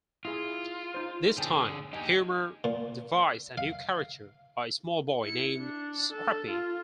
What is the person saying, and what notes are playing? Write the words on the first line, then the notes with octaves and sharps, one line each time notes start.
This time, Huemer devised a new character, a small boy named Scrappy.
E4 F4 G#4
D#4 C5
D3 G#4 G5 A5
D#4 G4 D#5 G5 G#5
A#2
F5
E4 C#7
D4
A4
F4